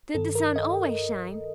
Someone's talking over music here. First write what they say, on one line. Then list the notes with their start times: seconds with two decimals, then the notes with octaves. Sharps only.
Did the sun always shine?
0.14 G2 D#3 A4
0.35 A#4
0.56 D#5